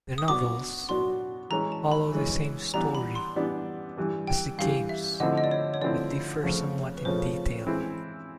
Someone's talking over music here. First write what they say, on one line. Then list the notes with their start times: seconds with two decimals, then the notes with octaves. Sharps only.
The novels follow the same story as the games but differ somewhat in detail.
0.18 D#6
0.27 B2 F#3 B3 D4 F#4 D6
0.89 B2 F#3 B3 D4 F#4 C6
1.50 E3 G#3 C#4 A#5
1.72 A5
1.92 B5
2.12 E3 G#3 C#4
2.74 E3 G3 B3 D4 A#5
2.95 B5
3.15 C6
3.36 E3 G3 B3 D4
3.97 G2 E3 G3
4.27 G5
4.58 G2 E3 G3 F5
4.89 E5
5.20 D3 F3 A3 C4 E4 D#5
5.38 D#5
5.44 D5
5.51 C#5
5.74 C#5
5.82 D3 F3 A3 C4 E4 D5
6.43 F2 C#3 F3 A3 C#4
6.97 B4
7.05 F2 C#3 F3 A3 C#4 C5
7.67 E3 G#3 C4 E4